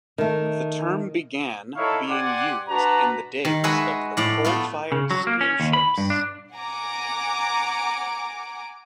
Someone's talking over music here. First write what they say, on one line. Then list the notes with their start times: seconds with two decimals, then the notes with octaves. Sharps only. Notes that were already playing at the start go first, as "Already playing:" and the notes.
The term began being used in the days of the coal-fired steamships.
0.18 D#3 A3
1.76 D#4 E4 A4 C#5 F5 C#6
2.08 G4 D5 F#5 G#5 C6 D6
2.69 D4 F#4 B4 A5 A#5
3.45 D#3
3.64 G#3 F#4 G#4 B4 E5
4.17 A2 D5
4.44 A3 B3 F4
4.92 C#3
5.11 F#3
5.27 A#3
5.41 C#4
5.60 D#2
5.73 B5
5.98 G2
6.10 D4
6.55 F#5 G#5 A#5 D6